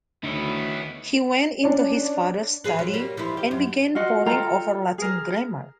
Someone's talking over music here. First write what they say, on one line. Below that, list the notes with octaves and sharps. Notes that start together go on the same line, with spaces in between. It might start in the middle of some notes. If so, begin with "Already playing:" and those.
He went into his father's study and began poring over Latin grammar.
D2 D#3 B3 D#4 E4 C#5
C#4 D4
F3 G#4 B4
F#3
G3 A#3
F3 E4
G4
F#2
F4 F#4 D#5 F#5
F4 A4 G5 A#5
G#4 A#4